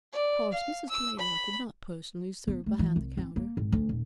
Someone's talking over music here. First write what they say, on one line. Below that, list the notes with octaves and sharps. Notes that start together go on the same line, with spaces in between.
Of course, Mrs. Blaylock would not personally serve behind the counter.
D5
F5
E6
B5
B3
A3
E3
C2
C4
A#3
G#1
D2
D#1